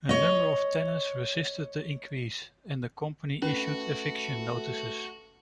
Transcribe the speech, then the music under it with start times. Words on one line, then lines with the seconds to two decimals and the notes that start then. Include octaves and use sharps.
A number of tenants resisted the increase, and the company issued eviction notices.
0.09 C#5 D#5
3.42 A3 C#4 F#4 B4